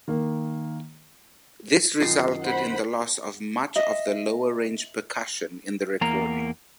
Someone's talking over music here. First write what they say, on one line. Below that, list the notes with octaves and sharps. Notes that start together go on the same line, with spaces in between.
This resulted in the loss of much of the lower-range percussion in the recording.
D#3 A#3
F#2 D#3 F4 C7
C5 F#5 B5
D#5 E5
E2 A#3 A#5